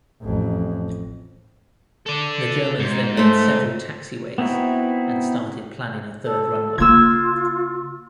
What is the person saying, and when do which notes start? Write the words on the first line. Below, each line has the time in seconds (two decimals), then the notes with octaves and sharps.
The Germans then made several taxiways and started planning a third runway.
0.22 A1 F2
2.06 A4 D5
2.79 G#2
3.17 A3 C5
4.38 B3 C4 D#4 E4 F#4
6.24 A4
6.78 C#3 A#3 F4 E6 G#6